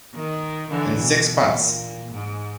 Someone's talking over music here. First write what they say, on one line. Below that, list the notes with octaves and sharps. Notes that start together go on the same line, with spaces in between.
In Six Parts.
D#3
D3 E3
B2
A#2
G#2